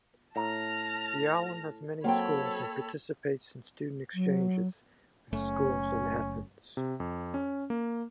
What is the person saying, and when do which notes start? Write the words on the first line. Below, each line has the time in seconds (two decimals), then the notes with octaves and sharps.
The island has many schools and participates in student exchanges with schools in Athens.
0.36 A2 A5 A#5 F6 A#6
2.04 F#3 A#3 C4 A4 C#5 G5 B5
4.14 F#3
5.33 F#1 A3 C#4
6.77 C3
7.00 F2
7.34 C#4
7.70 A#3